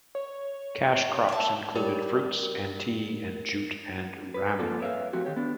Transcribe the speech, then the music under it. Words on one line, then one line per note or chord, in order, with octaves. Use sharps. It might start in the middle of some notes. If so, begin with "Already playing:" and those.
Cash crops included fruits and tea and jute and ramie.
C#5
E5 A5
G3 A#4 C#5
B4
F3 A#3 C4 F4 A4 D5
B4 C#5 E5 F5
A2 F3 A3 C4 F#4 G4
D#3 G4 C#5
B3 D4